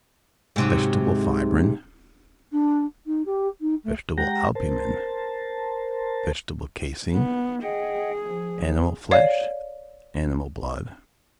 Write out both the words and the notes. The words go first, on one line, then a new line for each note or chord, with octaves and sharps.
Vegetable fibrine. Vegetable albumen. Vegetable caseine. Animal flesh. Animal blood.
G#2 C3 F#3
D4
D#4
G4
D#4
A3
G#3 G4 F#5 G5 A#5 A#6
A#4 C5 A5
B3
G#4 D#5 F#5 G5
F3
C#5 D5 F5